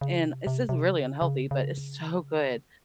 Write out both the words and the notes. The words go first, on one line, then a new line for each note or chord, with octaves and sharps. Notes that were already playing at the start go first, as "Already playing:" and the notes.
and it's just really unhealthy, but it's so good.
C#3
C3
C3
C3
C#3
C#3
C#3